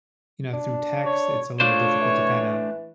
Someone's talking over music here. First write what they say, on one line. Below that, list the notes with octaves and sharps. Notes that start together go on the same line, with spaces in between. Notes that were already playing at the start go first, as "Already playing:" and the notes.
you know, through text, it's a little difficult to kinda,
D4
C#5
A3 D4 F4 C5 C#5
E3